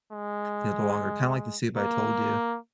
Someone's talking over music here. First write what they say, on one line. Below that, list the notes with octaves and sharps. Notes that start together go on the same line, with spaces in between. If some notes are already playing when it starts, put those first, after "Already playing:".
you know, the longer kinda like the soup I told you,
G#3
A#3